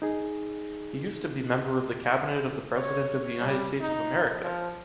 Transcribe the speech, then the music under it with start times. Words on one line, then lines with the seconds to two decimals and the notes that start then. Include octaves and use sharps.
He used to be member of the Cabinet of the President of the United States of America.
0.02 D#4 G#4
2.76 C#5
3.41 G3
3.81 D#4
4.42 F3